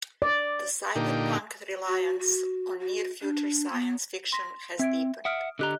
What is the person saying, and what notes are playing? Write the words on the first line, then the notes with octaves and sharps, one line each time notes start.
The cyberpunk reliance on near-future science fiction has deepened.
D5
A#2 D3 D#4 G4
F#4
F#4
F#4
D4
B3
C6 A#6 B6
C4 E5 G#6 D7
E5 F#5 D#6 F6 D7
D3 G4 D#5 A#5 F#6 G7